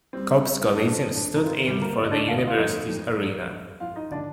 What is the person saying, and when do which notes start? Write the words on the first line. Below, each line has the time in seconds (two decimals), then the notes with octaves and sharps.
Copps Coliseum stood in for the University's arena.
0.13 G3 C4
0.44 G3
0.67 D#4
0.74 F2 D4
0.87 D4
0.95 C4
1.05 F2
1.15 D4
1.36 C3 D#3 D#4
1.45 F4
1.51 D#3 D#4
1.66 D2 G3 G4
1.81 A#3 A#4
1.97 D2 D5
2.04 D#5
2.11 D4 D5
2.28 D2 F5
2.38 D#5
2.47 F4 F5
2.58 F2 D#4 D#5
2.89 F2
3.20 F2
3.50 F2
3.80 F2 F4 F5
3.96 D#4 D#5
4.11 D3 D4 D5